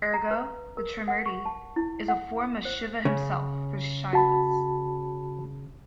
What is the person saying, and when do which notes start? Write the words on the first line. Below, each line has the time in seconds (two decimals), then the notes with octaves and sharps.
Ergo, the Trimurti is a form of Shiva Himself for Shaivas.
0.14 A#5
0.31 B4
0.77 A#4
1.08 F#5
1.26 C#6
1.45 A5
1.76 E4
2.08 F#5
2.65 C5
3.05 C#3
4.13 F#4 A5 B5